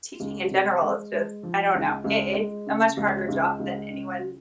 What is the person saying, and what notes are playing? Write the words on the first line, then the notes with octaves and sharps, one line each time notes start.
teaching in general is just, I don't know, it it's a much harder job than anyone
C#2
C3
G#3
G#3
F3
C#2
C#2
G#3
C#3
C#2
C#2
C#2
C#3